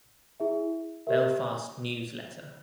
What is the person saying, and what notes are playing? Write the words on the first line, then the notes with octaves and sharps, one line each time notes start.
"Belfast News Letter".
E4 G#4 E5
G4 A#4 E5